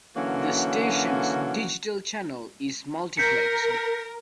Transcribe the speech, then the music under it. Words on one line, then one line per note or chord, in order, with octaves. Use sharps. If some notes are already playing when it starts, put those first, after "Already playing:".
The station's digital channel is multiplexed.
D3 E3 F#3 A#3 C#4 F#4
A#4 G6 B6 C#7